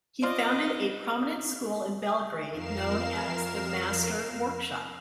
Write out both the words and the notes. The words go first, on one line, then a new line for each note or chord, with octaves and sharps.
He founded a prominent school in Belgrade known as the "Master Workshop".
F4 C5 D5 D#5 D6
F2 A#4 F5 C7 E7